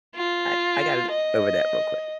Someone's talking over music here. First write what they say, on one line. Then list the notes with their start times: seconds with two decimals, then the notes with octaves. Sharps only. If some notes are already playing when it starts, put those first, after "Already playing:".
I I got over that real quick.
0.16 F4
1.11 D#5